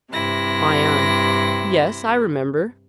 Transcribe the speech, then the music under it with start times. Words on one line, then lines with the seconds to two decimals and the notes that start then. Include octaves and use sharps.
ION: Yes, I remember.
0.13 G2 C3 E4 A#6